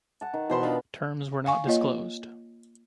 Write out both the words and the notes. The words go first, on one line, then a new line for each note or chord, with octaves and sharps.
Terms were not disclosed.
F#5 A5
D#3
B2 E3 C5 B5 C6
D4 D#4 F4
F5 G#5 C#6
A#3 F4 C#5 D#5